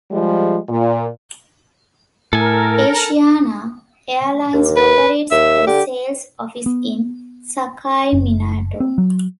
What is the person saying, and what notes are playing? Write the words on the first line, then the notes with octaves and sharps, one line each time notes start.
Asiana Airlines operates a sales office in Sakaiminato.
F3 G3 G#3
A#2
A2 A4 A#4 G#5
D#2
B4
D#2 E5
D3 G4
B3
F#1
C4
F#3